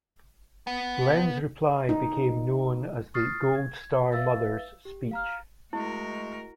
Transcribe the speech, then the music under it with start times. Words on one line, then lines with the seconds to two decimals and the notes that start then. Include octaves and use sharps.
Glenn's reply became known as the "Gold Star Mothers" speech.
0.67 B3
1.89 D#4
3.14 C#6 D#6 F6 A6 C7
3.55 G#6
4.12 B4 E5 F5 E6 A6
4.85 G4
5.11 F5 A#5 F6
5.73 G#3 A3 E4 F#4 A#4